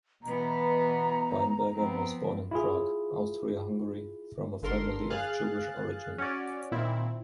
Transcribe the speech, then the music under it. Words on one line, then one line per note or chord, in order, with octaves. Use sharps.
Weinberger was born in Prague, Austria-Hungary, from a family of Jewish origin.
B2 E3 B3 A#5
F3 B3 C4
E4 F4 G#4
G1 D3 A4 A#4 C6
G#4 F5 F#6 A6
C#4 F#4 C#5 D5
A#2 D#3 C4 E4